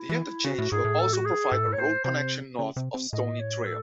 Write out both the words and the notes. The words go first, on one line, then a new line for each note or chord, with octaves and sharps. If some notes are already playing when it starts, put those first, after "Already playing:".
The interchange will also provide a road connection north of Stoney Trail.
Already playing: E4
E3
C#3 F#4
A2
G#2 G#4
A2
A4
F#4
G#4
G#2 A4
A2
G#2
C#5
A2 C5
C3 C5
C#3
C3
C3
A2 D#5
C#5
A4